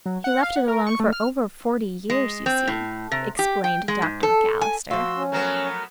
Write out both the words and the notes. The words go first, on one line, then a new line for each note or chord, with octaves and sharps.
"He left it alone for over forty years, you see," explained Dr. McAllister.
F#3
F#5
F5
F#5
A#4
C#6
A3
F6
G#3
C4
A2
C3
G4
G5
G#3
G#2
A4
G#5
F3 F#4 F5 C6 E6
C#4
F#3 A3 B3 A#4